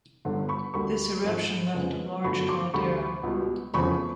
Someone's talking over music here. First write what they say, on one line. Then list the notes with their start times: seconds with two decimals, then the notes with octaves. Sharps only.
This eruption left a large caldera.
0.25 G1 G2 D3
0.49 B5 C#6
0.74 D2 D3 G3 A#3 B5 C#6
1.24 G#1 G#2 F3 A3
1.74 F2 C#3 F3 G#3 B3
2.24 G1 F#2 D3 F#3 A3 B5 C#6
2.49 C6 D6
2.74 D2 D3 G3 B5 C#6
3.23 C#2 B2 G3
3.73 F1 E2 C#3 F3 B5 C#6